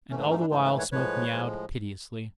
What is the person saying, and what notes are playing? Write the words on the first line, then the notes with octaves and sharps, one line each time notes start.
And all the while Smoke meowed piteously.
G#2 E3 A3 C#4
D4
C#4 D#4
D4 E4
G#2 E3 A3 D#4 F4
A4 B4
B4 C#5
A2 F3 G#3 B4 C#5
A2 F3 G#3